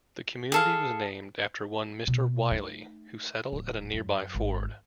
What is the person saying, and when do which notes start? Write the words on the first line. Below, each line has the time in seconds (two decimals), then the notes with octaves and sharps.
The community was named after one Mr. Wiley, who settled at a nearby ford.
0.52 G#4 A4 F5
2.07 B2
2.51 A3 D#4
3.52 D1
3.94 F#2
4.35 G#1